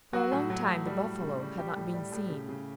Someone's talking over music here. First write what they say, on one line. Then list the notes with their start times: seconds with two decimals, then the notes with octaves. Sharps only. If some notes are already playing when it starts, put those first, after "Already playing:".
For a long time the buffalo had not been seen.
0.13 F#3 F#4
0.32 A2
0.50 F#3
0.68 A2
0.86 G3
1.04 G3
1.22 C#3
1.40 G3
1.58 G3 G4
1.76 A2
1.94 G3
2.12 A2
2.30 C#3
2.49 C#3